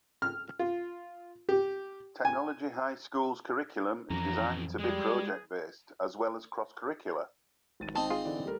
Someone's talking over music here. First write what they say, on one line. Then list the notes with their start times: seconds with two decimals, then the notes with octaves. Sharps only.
Technology High School's curriculum is designed to be project-based as well as cross-curricular.
0.22 F6
0.59 F4
1.49 G4
2.25 G#5
4.10 F2 E3 C#4 A#5
4.80 G3 G#3 G#4
7.80 G#1 A6 D#7
7.96 C4 D#4 A5
8.10 F4 G#4 C5
8.25 D3 E3 D5
8.45 G3 A3 A#4